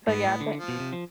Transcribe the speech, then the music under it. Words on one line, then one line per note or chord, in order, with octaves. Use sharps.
So yeah, but
G#2 B3
A2
D3
F3
B2
C3
F3